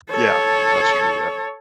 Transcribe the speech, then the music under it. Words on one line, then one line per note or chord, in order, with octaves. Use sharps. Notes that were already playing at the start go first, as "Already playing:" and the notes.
Yeah. That's true. Yeah.
A4 C#5